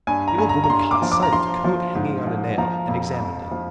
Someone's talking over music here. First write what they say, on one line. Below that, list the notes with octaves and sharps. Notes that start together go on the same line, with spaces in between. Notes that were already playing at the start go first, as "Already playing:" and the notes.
The old woman caught sight of the coat hanging on a nail, and examined it.
G2 G#5
A#5
G2 G#5
A#5
A#5
G2 C6
D6
F3
D6
A#5
F3 C6
F3
G#2
F3
F3 A#5
F2
F2
F3